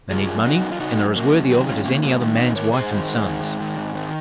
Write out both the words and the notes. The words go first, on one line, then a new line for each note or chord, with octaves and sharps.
They need money and are as worthy of it as any other man's wife and sons.'
C#3 F4 G#4
F#2
C#3 D#4 F#4
F#2
F4
C#3 D#4 F#4
F#2
C#3 F#3 A#3
F#2
D#3 F#3
G#2 C#4 F4
D#3 A#3 C#4
G#2 F#3 A#3
D#3
G#2 C4 D#4
D#3 A#4 C#5
G#2 G#4 C5
D#3
G#2
D#3
G#2
D#3
G#2
D#3